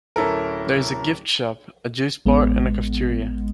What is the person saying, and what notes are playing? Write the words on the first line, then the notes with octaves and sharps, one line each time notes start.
There is a gift shop, a juice bar and a cafeteria.
D1 C#4 E4 A4 A#4
A1 G#3 B3